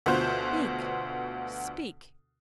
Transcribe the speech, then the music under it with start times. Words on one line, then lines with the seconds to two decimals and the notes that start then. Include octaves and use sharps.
Speak, speak!
0.06 D2 B2 F4 F#4 C5 G6